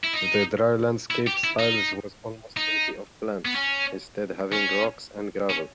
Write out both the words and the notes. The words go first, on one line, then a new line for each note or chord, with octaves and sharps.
The "dry landscape" styles was almost empty of plants, instead having rocks and gravel.
E4
D#4
E4
G4
E4
D#4
D#4
B3
C#4
C#4
C#4